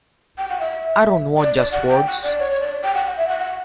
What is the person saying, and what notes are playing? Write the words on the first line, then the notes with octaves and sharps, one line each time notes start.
I don't want just words.
G5
F#5
E5
D5
D5
F#5
G5
F#5
D5
C#5
C#5
D5
G5
F#5
F#5
E5
F#5
F#5